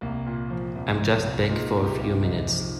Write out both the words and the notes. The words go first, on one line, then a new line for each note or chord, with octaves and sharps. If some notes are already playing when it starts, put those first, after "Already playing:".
I'm just back for a few minutes.
C2 A#3
A#2
F3
C2
F3
C2
A#2 D#4
C2
G4
C2
C2 D#4
F3